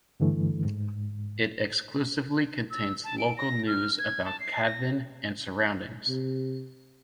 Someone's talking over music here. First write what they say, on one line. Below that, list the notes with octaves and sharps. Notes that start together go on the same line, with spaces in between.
It exclusively contains local news about Cavan and surroundings.
G2 D3 E3 A3
G#2
E6
A5
D7
A#6
F6
G#6
A5
C7
A#6
C3